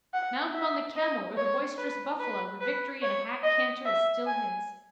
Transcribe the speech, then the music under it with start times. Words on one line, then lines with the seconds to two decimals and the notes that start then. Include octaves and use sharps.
Mount him on the camel or the boisterous buffalo the victory in a hack canter is still his.
0.13 F#5
0.54 E5
0.96 D#5
1.37 C#5
1.78 B4
2.19 B4
2.61 B4
3.02 C#5
3.43 D#5
3.85 E5
4.26 G#5